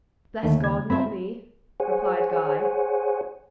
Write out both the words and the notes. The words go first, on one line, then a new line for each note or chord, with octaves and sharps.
"Bless God, not me," replied Guy.
D#2 D3 D#3 A3
C#3 G#6
C4 F4 E5 B5
G#4 C5 C#5 F#5 G#5